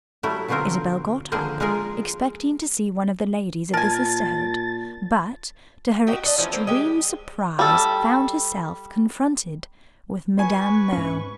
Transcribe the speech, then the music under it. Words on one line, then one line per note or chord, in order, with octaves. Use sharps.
Isabel got up, expecting to see one of the ladies of the sisterhood, but to her extreme surprise found herself confronted with Madame Merle.
F#3 G3 A3 E4
B2 D3 F#3 C4 F4 A#4
D3 D#3 F3 A#3 G#4 C5
G#3 F4 G#4 A#4
A#2 A#4 G#5 A5 A6
D#4 F#4 G4
D4 D#5
E3 F3 A3 C#4
E3 A#3 C4
G#3 G4
G3 A4
B4 G#5 C#6
G#2 C#4